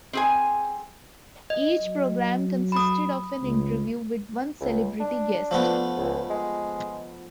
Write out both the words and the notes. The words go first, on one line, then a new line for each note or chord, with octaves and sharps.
Each programme consisted of an interview with one celebrity guest.
C4 G#4 G#5
D#5
F#3
B5 D#6
C#2
C#2
D4
F3 A3 B3
C#2
G#3